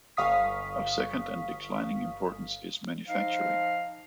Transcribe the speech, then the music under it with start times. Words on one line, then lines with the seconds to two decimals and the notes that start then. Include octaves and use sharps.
Of second and declining importance is manufacturing.
0.17 G1 F5 C#6 D#6 B6
3.07 F3 D#4 D#5 F5